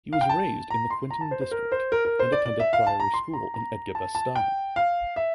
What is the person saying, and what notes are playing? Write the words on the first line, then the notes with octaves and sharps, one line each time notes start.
He was raised in the Quinton district and attended Priory School in Edgbaston.
F5
G5
A5
A#5
C6
A#5
A5
C5
C5
A#4
C5
A#4
A#4
C5
D5
D5
E5
F5
A5
A#5
C6
A#5
A#5
A5
A5
G5
F5
E5